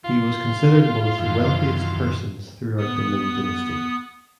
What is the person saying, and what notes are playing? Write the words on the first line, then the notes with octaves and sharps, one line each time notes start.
He was considered one of the wealthiest persons throughout the Ming Dynasty.
F4
F#2 D#3 E3
B3 D#6